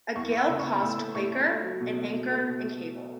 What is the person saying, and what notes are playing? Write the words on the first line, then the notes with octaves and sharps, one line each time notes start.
A gale cost "Quaker" an anchor and cable.
E2 C#6
B3
E6
C#3
B3 C#6
A2 E6
A3
A2 C#6
A3
A3
F#3
B2
A3
B2
A3
B2